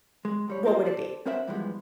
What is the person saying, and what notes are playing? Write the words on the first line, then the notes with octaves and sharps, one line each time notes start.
what would it be?
G#3
G2 G3 C#5
A#3 F4 A#4 C5
A4 C5 D5
C4 C#4 A#4 C5 E5 F#5
G2 E3 F3 G#3 B3